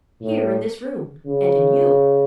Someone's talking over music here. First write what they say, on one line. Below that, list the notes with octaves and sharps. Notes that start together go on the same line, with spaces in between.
"Here, in this room, and in you."
A2
C#3